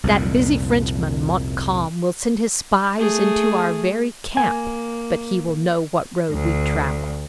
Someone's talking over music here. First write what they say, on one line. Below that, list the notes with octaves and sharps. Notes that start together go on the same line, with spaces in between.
"That busy Frenchman, Montcalm, will send his spies into our very camp, but he will know what road we travel!"
C2 F2 A#2
A3 G#4
A#3 G#5
D2